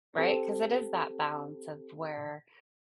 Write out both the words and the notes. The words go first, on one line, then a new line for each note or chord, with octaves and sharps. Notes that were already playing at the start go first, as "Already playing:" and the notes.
Right, 'cause it is that balance of where
C4 G4 A4